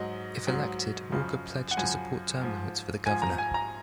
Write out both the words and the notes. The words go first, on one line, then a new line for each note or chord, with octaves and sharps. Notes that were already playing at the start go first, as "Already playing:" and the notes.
If elected Walker pledge to support term limits for the Governor.
Already playing: G#2 F#3 D#5
G#2 F#3
F#2 C#3 F3
F#5
F#2 C#3 F3 G#5
G#2 F3
G#2 F3 G#5
A#5
G#5
A#5